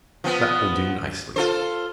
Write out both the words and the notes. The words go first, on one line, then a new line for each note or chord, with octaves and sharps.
That will do nicely.
F3 B3
F4 A4 C5